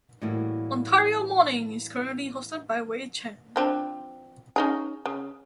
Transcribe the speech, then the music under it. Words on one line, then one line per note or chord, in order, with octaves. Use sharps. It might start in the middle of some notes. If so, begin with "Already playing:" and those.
"Ontario Morning" is currently hosted by Wei Chen.
A2 E3 G3 A#3 E4 F#4
F3 C4 D4
C#4 D#4 G#4
C#3